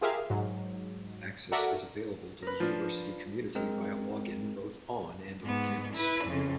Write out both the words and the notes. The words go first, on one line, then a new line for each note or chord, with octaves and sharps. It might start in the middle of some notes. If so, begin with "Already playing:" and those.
Access is available to the university community via login both on and off campus.
F4 G4 G#4 A#4 E5 F5
G#2 F#3
F#4 A4 A#4 D5 E5 F#5
A#4 B4
F3 D4 F4
G#3 C4 A#4
G#2 B3
E4 B4
F2 C#3